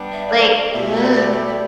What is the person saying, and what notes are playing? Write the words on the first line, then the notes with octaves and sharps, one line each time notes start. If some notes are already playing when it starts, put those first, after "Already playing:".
Like, ugh!
Already playing: G3 B3 D4
E5
D5
C5
D5
B2 A3 E4 G4 E5
D5
D5
D5